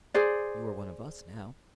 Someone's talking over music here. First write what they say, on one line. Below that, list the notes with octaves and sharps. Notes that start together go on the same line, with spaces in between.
You are one of us now.
G#4 C5 D5